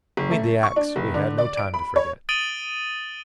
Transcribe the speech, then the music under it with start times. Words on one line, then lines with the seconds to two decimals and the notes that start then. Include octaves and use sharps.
Between the acts we had no time to forget.
0.17 F#1
0.31 A3
0.63 C#6
0.76 D4
0.96 F1
1.14 D3
1.38 D5
1.57 D7
1.74 B5
1.96 C#5
2.29 D#6 A6 D7 D#7 F#7 G7